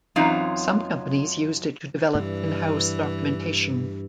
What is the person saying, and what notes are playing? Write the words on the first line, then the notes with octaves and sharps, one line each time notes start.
Some companies used it to develop in-house documentation.
F#2 E3 F#3 C4 D#4 F4
G2 E3